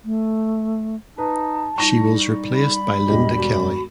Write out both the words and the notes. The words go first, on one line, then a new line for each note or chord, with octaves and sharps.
She was replaced by Linda Kelly.
A3
D#4 B4 A5
G3 D#4 C#6 A#6
B5
E1 G2 G4 D#5
G3 F#4